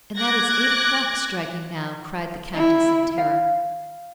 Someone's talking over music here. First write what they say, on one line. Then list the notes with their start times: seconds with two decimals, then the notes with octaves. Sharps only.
"And that is eight o'clock striking now!" cried the Countess in terror.
0.17 D6 F#6 G#6 A#6
2.54 E4
3.18 F5